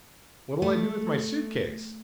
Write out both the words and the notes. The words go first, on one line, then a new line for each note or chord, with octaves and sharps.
'What'll I do with my suit-case?'
A3